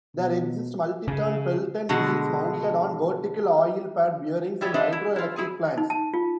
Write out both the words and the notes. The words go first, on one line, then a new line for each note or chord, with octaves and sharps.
There exist multi-ton Pelton wheels mounted on vertical oil pad bearings in hydroelectric plants.
B2
C#3
B2 D3 G#3 F#4
G3 E4 G4 B4 C#5
D4 D#4 B4 C5 E5
E4
E4 F4
E4 G#4 G#5
D#4
A5
F4